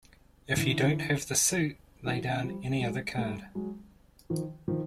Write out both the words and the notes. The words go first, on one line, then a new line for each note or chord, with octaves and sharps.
If you don't have the suit, lay down any other card.
D3 E3
E3 F#3
F3 G3
F#3 G#3
G3 A3
F#3 G#3
D#3 F3
D#3 F3